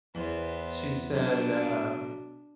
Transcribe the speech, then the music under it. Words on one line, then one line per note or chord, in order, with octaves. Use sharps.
she said, uh,
E2 B3 C5
B1 D4